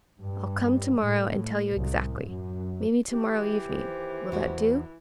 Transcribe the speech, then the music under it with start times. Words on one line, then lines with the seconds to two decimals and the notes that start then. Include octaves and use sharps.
I'll come to-morrow and tell you exactly--maybe to-morrow evening--will that do?
0.22 G2
1.01 A2
1.73 C2
2.23 F#2
3.11 E3 G4
3.69 D#2 C5
4.32 E2 F#4